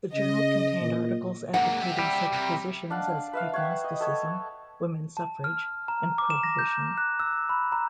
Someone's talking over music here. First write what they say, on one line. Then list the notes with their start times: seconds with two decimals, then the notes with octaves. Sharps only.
The journal contained articles advocating such positions as agnosticism, women's suffrage, and prohibition.
0.14 C#3 D#5
0.81 A#2
1.54 G#2 A#3 F#5
1.81 G4 E5
1.99 G3
2.33 C3
2.90 D4 F5 F#5
3.33 B4 E5 F5
3.54 C#5 F#5 G5
3.84 D#5
4.00 A4 C#5
5.17 A5
5.44 F6
5.88 A#5
6.18 D6
6.30 E7
6.43 A#6
6.59 G6
6.98 F#6
7.20 E6
7.49 B5
7.72 A#5